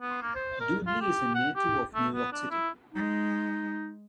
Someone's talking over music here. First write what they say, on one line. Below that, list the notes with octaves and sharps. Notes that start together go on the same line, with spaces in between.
Dudley is a native of New York City.
B3
A#3
C5
A#4
F4
G4
F#5
G4
A3
B3
D4
E4
G#3 D#4